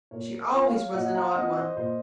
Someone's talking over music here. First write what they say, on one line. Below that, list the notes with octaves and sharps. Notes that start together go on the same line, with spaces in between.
She always was an odd one.
A#2 A#4 C#5
F3 C4
C#5 F5
A#2 D#5 F#5
F#5 A#5
F3 C4 D#5 F#5
C5 D#5
A#2 C5 D#5